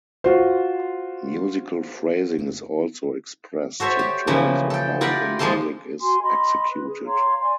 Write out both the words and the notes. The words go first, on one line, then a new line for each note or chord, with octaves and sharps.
Musical phrasing is also expressed in terms of how the music is executed.
F4 F#4 C5
F#4 A4 C5 C#5 E5
G4
C#3 E3 F3 A#3
A4 G5
E4 F4 G4 A#4 D5 F#5
F3 G#3 A#3 C4 A4 C6
F#4 G#5 C6
D#5 B5 C6
B4
G#4
C#5 F5 A#5 C6
D5 G#5 C6